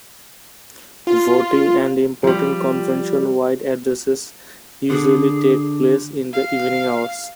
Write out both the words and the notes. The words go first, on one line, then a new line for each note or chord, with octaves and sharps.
Voting and important convention-wide addresses usually take place in the evening hours.
F4
F3 G3
D3 G#4
F5